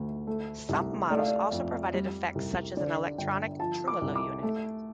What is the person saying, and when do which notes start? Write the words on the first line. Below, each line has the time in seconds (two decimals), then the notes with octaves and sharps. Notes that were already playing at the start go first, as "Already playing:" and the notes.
Some models also provided effects such as an electronic tremolo unit.
Already playing: D2 A3
0.27 A3
0.69 C2
1.10 A3 D5
1.19 F5
1.28 D5
1.52 F2
1.94 G3
2.35 C2
2.77 D3 D5
3.18 G1 G5
3.59 F3 A5
3.88 D6
4.01 C2
4.16 D6
4.43 A3